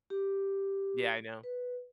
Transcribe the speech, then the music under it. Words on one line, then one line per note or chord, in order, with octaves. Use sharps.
Yeah, I know.
G4
B4